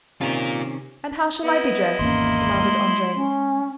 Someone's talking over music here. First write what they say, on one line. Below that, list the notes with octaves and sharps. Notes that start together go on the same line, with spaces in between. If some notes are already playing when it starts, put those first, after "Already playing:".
"And how shall I be dressed?" demanded Andrea.
C3 D#3 C#4 F4 A#4
B3 E4 D#5
G#1 E2 A#3 C#4 C6
G#3
C#4